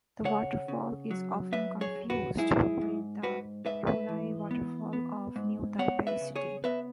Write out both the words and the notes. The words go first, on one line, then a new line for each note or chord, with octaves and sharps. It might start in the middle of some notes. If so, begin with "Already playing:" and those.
The waterfall is often confused with the Wulai Waterfall of New Taipei City.
C#3 C#5 F#5
C#3
F#3
F#2 B4 E5
G#4 C#5
F#3
F#4 B4
G#2 E4 G#4
G#2
G#2 F#4 B4
G#2 B4 E5
B4 E5
E3
B3
B3
G#2
B3 C#5 F#5
B4 E5
C#3
G#4 C#5
B3 B4 E5